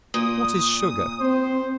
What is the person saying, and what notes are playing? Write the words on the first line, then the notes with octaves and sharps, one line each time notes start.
What is Sugar?
A#2 D#6
C4 C5